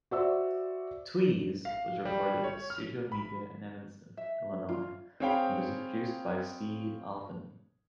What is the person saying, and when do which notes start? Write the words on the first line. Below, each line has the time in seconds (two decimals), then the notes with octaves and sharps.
"Tweez" was recorded at Studiomedia in Evanston, Illinois, and was produced by Steve Albini.
0.11 F#4 C5 D5 E5 E6
1.65 F5
2.05 G3
2.44 C#5
2.70 F6
3.12 B5
4.17 E5
4.69 F4
5.20 C4 G#4 C#5 F5 G5 B5